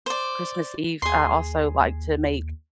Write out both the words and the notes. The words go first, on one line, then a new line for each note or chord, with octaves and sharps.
Christmas Eve, I also like to make,
C5 D5
D#2 G#4 C6